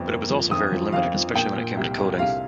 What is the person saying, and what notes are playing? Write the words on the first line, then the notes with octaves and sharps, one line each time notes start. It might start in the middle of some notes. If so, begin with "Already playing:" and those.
But it was also very limited, especially when it came to coding.
Already playing: G1 F2
A#3
F3
F2 D#6
F3
F2 F5
F3
A#2 G5
A#2
C2
C2
C2 F5